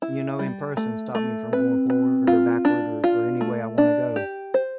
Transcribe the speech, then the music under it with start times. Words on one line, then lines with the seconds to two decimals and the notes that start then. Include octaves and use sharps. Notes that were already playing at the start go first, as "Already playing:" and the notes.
you know, in person, stop me from going forward, or backward, or or any way I wanna go.
0.02 E4
0.39 G3
0.77 A3
1.15 A3
1.52 C4 B4
1.90 B4
2.27 F4
2.65 D4
3.04 F4
3.41 A3
3.78 D4
4.16 G4
4.54 C5